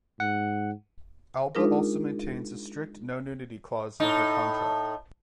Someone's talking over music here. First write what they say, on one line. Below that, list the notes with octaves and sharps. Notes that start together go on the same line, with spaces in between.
Alba also maintains a strict no-nudity clause in her contract.
G#2 F#5
G#3 D4 D#4 F4 G#4 A#4
A2 D#4